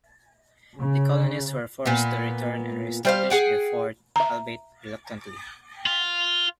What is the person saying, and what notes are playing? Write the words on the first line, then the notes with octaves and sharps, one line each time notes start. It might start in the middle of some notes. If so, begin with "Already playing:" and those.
The colonists were forced to return and reestablish their fort, albeit reluctantly.
C#3
A#2 B3
G3 C5 F5
G#4 F#5 G5
E5 A#5
F4